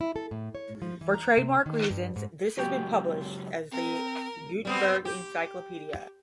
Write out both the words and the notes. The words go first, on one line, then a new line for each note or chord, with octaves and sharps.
For trademark reasons this has been published as the "Gutenberg Encyclopedia".
E4
A4
A2
C#5
F3
E3
A#5
C3
D#3
G2
G#2
C#2 F#2 F#4 G4
C4 A#4
G3 B3 C4
G4